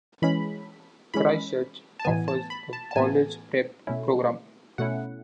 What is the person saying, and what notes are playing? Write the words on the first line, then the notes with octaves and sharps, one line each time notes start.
Christchurch offers a college prep program.
E3 G#3 C#4 B5
E3 G#3 C#4 B5
A5
A2 E3 B3 G#5
A5
B5
A5
A5
A2 E3 B3 G#5
B2 A3 C#4 E4
B2 A3 C#4 E4 F#5